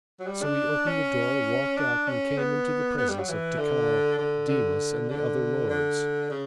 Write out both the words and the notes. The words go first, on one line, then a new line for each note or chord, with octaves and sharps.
So we opened the door, walked out, and came into the presence of Tikal, Dimas, and the other lords.
F#3
G3
D4
C#4
D4
C#4
B3
B3
G3
F#3
E3
D3
D3
D3
D3
D3
C#3